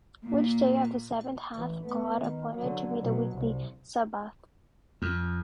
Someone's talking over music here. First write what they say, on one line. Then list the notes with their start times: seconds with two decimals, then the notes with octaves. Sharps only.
Which day of the seven hath God appointed to be the weekly sabbath?
0.24 A#2
1.53 A1 E3
1.85 A3 B3
2.20 D#3
2.56 D3 F#3
3.01 B2 F#3
3.34 C2
5.02 F2